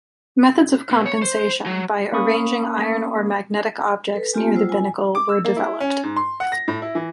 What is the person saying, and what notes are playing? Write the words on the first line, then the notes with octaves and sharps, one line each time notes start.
Methods of compensation by arranging iron or magnetic objects near the binnacle were developed.
B2
C#5
C5
F#3
A#3 C#4 B5 C#6 D#6
A4 B4
A#3 C4 F4 G4 G#5
F#3 G3 F4 C5 E6
G#5
D6
E6
A#3
E4
C#4
G#2
C6
F#5
A#6
A2
E4
E3